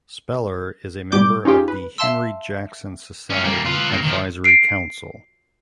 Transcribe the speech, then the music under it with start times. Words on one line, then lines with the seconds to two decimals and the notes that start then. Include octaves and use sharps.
Spellar is a member of the Henry Jackson Society Advisory Council.
1.12 G#2 B2 G3 D6 G6
1.45 C#4 D#4 F4 G4 G#4
1.68 B4
1.98 E5 F5 A5 C6 E6
3.30 C#4 F4
3.44 G3 A#3
3.66 F4 B4
3.91 G2 A#3
4.04 D#3 F3
4.44 C7 D7